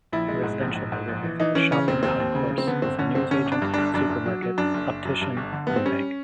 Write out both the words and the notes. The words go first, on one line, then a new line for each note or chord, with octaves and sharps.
The residential neighborhoods have a shopping concourse with a newsagent, supermarket, optician, and bank.
A#1 E4
G#3
G#2
A#1
G#2
G#2
A#1
E3
E3 D#4
E3 C#4
C#3 C#4
F1 C4
D#2 C4
D#2
C#3
C#3
C4
D3 B3
G1 C4
D3 C#4
G1 C4
D3 C#4
G1
D4
G2
G1 D4
F#2 D4
F#1
F#3
F#3
F#2 D4
F#1
F#1
F#2
G2
G1
D3
G2 B3
C4
G3 C#4